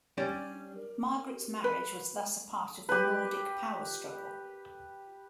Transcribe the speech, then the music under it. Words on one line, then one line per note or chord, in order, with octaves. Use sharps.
Margaret's marriage was thus a part of the Nordic power struggle.
G3 C#4 D5
B4
G4 B4